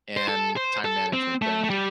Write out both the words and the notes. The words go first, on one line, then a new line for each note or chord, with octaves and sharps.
and time management thing,
C5
A4
C5
A4
C4
A3
A3
G3